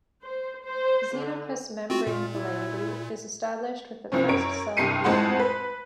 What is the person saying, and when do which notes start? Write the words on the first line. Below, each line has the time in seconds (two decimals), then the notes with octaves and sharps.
"Xenopus" membrane polarity is established with the first cell cleavage.
0.23 C5
0.63 C5
1.16 D3
1.90 C4 F4 F#4
2.07 A#2 F4
2.33 E4
4.12 C2 F3 C4 C#4
4.28 F#2 C#5 D7
4.77 C2 G2 G4 C7 C#7 D#7
5.04 F2 A2 G#3 C5 F#5 C6
5.39 B4